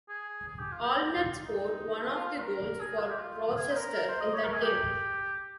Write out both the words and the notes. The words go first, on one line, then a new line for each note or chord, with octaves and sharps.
Allnutt scored one of the goals for Rochester in that game.
G#4
G#4
G4
F4
G4
D#4
F4
F4
F4
A#4
G#4
F4
G4
F4
G#4
C5
A#4
A#4
C5
D#5
C#5
A#4
G#4
G4